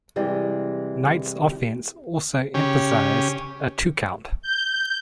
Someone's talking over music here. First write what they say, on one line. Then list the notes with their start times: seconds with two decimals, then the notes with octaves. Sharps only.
Knight's offense also emphasized a two-count.
0.16 C3 E3 G3 G#3
2.54 C#3 C#4 G4
4.42 G6